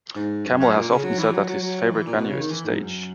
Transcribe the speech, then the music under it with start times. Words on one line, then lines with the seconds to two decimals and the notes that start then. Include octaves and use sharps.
Camil has often said that his favorite venue is the stage.
0.16 G#2
0.45 F#2
0.60 F#2
0.74 A#2
0.89 C#3
1.04 F#3
1.19 E3
1.33 F#3
1.48 F#3
1.62 F#3
1.91 E3
2.07 A#2
2.17 B2
2.29 C#3
2.40 D#3
2.50 E3
2.65 G#2
2.80 F#2